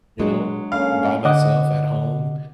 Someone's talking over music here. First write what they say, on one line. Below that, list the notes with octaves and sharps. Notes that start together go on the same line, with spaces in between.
you know, by myself at home,
F#3 G#3 D4
A#3 C#4 A4 F5
D3 D#5 F#5 D6